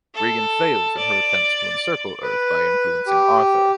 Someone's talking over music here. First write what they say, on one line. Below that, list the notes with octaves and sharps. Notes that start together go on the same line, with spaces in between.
Rigan fails in her attempts to encircle Earth by influencing Arthur.
A4
D5
B4
G4